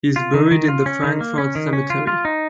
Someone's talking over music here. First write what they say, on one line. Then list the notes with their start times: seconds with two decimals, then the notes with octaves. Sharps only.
He is buried in the Frankfort Cemetery.
0.16 F4
0.34 D#3
0.51 D#3
0.68 F4
0.86 C#4
1.03 D#3
1.21 A#3
1.38 C#4
1.55 D#3
1.73 C#4
1.90 F4
2.07 F4
2.25 D#4